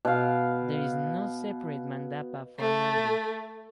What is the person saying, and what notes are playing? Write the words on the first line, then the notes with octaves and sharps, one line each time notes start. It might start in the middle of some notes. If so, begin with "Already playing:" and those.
There is no separate mandapa for Nandhi.
B2 F5
A3